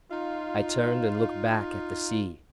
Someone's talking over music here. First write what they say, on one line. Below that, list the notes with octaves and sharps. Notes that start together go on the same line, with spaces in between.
I turned and looked back at the sea.
D#4 F4